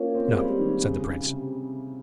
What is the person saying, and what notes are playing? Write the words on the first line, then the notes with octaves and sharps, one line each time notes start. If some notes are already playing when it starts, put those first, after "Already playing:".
'No,' said the Prince.
Already playing: A#3 C#4 F4 A#4 C#5 F5
C4
G#3
G3
D#3
C#3
C#3
C3